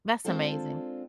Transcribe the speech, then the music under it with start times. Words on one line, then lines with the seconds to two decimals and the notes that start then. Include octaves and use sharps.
That's amazing.
0.25 G#3 C4 D4 F4 A4